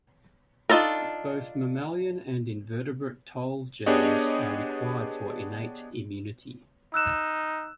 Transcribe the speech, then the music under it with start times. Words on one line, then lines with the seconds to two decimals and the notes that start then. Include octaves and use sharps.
Both mammalian and invertebrate toll genes are required for innate immunity.
0.69 D4 D#4 F4 A4 A#4
3.86 B3 D4 G4 G#4 C#5 D#5
6.94 D#4 E6 F#6 E7